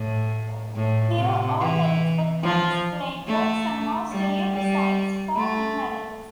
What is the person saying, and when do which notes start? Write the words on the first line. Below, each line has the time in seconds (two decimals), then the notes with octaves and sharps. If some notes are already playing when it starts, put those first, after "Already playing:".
Here all erythrocytes, platelets, and most leukocytes form in adults.
Already playing: A2
0.75 A2
1.17 C3
1.59 E3
2.43 F3
3.27 A3
4.11 G3
4.53 G3
5.36 A3